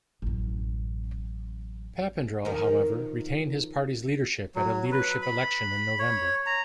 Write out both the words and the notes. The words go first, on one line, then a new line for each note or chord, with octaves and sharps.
Papandreou, however, retained his party's leadership at a leadership election in November.
A1 F#2
D#3 F3 A#4
F#3
B4
B5
C#5
A#5